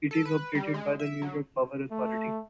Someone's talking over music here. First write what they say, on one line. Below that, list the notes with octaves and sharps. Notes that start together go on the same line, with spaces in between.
It is operated by the New York Power Authority.
A4
B4
G3
G#3
E5
F#3
A3